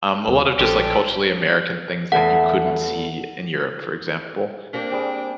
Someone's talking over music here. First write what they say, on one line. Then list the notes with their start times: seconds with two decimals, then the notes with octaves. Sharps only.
um, a lotta just, like, culturally American things that you couldn't see in Europe, for example,
0.28 D#2
0.59 A#1 D3 G3 C#4 G4 A4 C5
2.12 E2 A3 F#5
4.73 A#3 C4 D4 G4
4.91 G3 G#4 G5